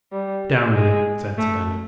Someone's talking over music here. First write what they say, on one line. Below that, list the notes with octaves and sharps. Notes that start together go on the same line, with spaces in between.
"Down with it," said Sir Daniel.
G3
G#3
A3